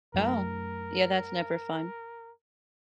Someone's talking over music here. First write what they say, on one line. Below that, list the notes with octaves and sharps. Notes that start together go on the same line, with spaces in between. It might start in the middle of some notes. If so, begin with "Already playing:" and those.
Oh, yeah, that's never fun.
F#2 F#3 A3 A#4